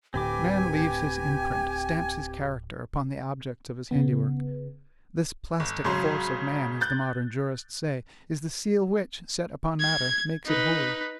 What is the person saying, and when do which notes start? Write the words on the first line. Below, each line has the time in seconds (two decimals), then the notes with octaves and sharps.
Man leaves his imprint, stamps his character, upon the objects of his handiwork. This plastic force of man, as the modern jurists say, is the seal which, set upon matter, makes it holy.
0.14 D1 A2 D3 C4 G4 B4 G#5 D6
3.91 C#3 B3
5.60 G1
5.84 G#1 C#3 F#3 C6
6.81 F#6 G6 A6
9.80 G#6
10.45 D#4 B4